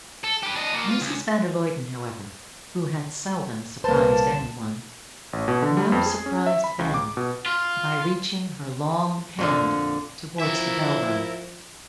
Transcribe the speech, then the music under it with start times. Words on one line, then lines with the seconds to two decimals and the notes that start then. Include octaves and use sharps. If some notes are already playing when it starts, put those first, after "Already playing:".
Mrs. van der Luyden, however, who had seldom surprised any one, now surprised them by reaching her long hand toward the bell-rope.
0.24 A4
0.43 G4 B4
0.55 D4 D#5
0.73 A#3 F#4
0.88 F4
1.01 C#2
3.84 C2 A#2 A#3 B4 C5 A5
5.33 A1
5.48 B2
5.62 D3
5.77 G3
5.92 F2
6.06 G#4
6.26 C#4
6.46 E5
6.64 B5
6.79 C#2
6.94 D6
7.17 B2
7.46 F4
9.39 F2 A#2 D3
10.40 F3 E4 A#4 E5